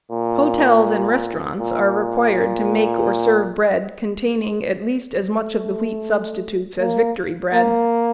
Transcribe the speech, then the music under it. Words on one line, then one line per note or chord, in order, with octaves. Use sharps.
Hotels and restaurants are required to make or serve bread containing at least as much of the wheat substitutes as Victory bread.
A#2
A#2
A3
A#3
A#3